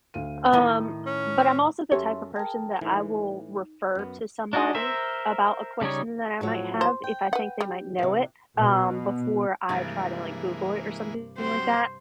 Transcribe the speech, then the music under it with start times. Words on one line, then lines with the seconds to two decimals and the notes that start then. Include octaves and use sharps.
um, but I'm also the type of person that I will refer to somebody about a question that I might have if I think they might know it, um, before I try to, like, Google it or something like that,
0.14 D2 F5 D#7
0.53 A2 D#3 E4
1.06 C#4
1.92 F#2 C#4 G4 A4 C#5 E5 C6
2.36 G#4 A#4 G5 A5
2.81 A2 E3 D#4
3.95 F#2 B3
4.53 D4 D#4 F#4 G#4
4.75 A#4 C5 E5
5.81 C#3 G3 D#4 C#5
6.41 A2 F3 F#3
6.81 C5
7.04 G5
7.33 B4 F#5
7.61 G3
7.99 C3 E3
8.59 B2
9.69 G2 C3 E3 F3 G#3 A#3
11.38 F#3 G3 C4 C5